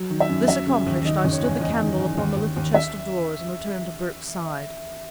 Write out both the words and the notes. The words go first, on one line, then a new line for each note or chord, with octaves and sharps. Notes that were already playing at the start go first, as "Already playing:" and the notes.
This accomplished, I stood the candle upon the little chest-of-drawers and returned to Burke's side.
Already playing: F#3
D#3
E5
F#2
F#3 E5
C#3
D#2
D#3 D#5
F#1
C#5
E2
E2 D#5
D#3
E2
D#2
D#2
D#2
E5